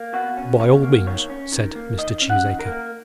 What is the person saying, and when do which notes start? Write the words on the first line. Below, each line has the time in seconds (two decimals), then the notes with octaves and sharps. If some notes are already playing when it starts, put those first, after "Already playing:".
"By all means," said Mr. Cheesacre.
Already playing: A#3
0.13 B2 F#4
0.37 C#4
0.60 B2 C#5
0.83 A#3
1.06 D#3 C#5
1.29 C#4
1.52 D#3
1.75 A#3
1.98 D#3 D#5
2.21 C#4
2.30 F#5
2.44 D#3
2.59 A#4
2.67 A#3